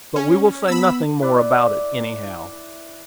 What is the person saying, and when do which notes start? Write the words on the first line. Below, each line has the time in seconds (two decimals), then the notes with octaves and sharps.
But we will say nothing more about it, anyhow.
0.16 C#4
0.68 B3 B5 E6
1.21 E4 B4 D5